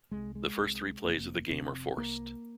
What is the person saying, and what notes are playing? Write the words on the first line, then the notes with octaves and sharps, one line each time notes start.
The first three plays of the game are forced.
C2 C3 G#3
G#3
C2 C3
F1 F2 C3 A#3
F1 F2 C3 C4
C2 C3 A#3